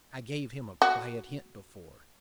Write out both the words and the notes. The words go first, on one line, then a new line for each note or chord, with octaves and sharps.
I gave him a quiet hint before.
F#4